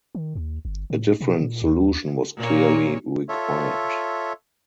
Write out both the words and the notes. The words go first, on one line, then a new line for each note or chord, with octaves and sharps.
A different solution was clearly required.
D#3
D#2
G1
A2
B2
A#2
D#2
A#2 A#3 C#5
F4 A4 C#5 E5